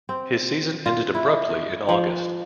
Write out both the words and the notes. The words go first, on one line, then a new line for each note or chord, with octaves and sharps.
His season ended abruptly in August.
C4
F4
E4
F3